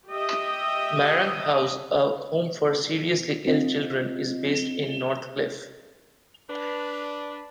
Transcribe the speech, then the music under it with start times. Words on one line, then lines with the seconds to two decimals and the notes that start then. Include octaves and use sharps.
Marang House, a home for seriously ill children, is based in Northcliff.
0.10 G4 D#5 E5
3.47 C4 F4 D#5
6.50 D4 B4